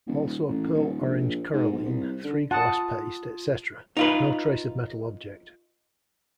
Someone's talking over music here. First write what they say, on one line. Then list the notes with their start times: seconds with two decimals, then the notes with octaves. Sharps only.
Also a pearl orange coralline, three glass paste, etc.. No trace of metal object.
0.07 D#1
0.48 A1
0.74 D#1
1.01 A#1
1.53 G#2
1.72 B1
1.85 C2
2.24 D3
2.51 F4 F#5 A5 D#6
3.97 D#4 F4 B4